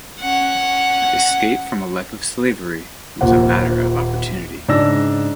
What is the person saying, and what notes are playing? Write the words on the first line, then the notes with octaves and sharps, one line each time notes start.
Escape from a life of slavery was a matter of opportunity.
C#4 F#5
D#1 D#2 A#3 F4 C5 F#5
G#2 C#3 D4 D5 E6 A#6